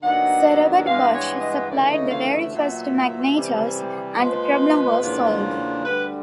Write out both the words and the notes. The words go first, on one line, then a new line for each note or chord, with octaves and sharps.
Sir Robert Bosch supplied the very first magnetos and the problem was solved.
D#2 D#3 F#3 B3 D4 F#5
G2 E3 G#3 B3 D4 F5
C#5
D#5
D2 C#3 E3 A3 C#4 D5
D#5
F5
E5
A#2 F#3 B3
C3 E3 G3 C4
A#2 F3 G#3 B4
E2 C#3 F3 A#3 D4
D2 D3 G3 B4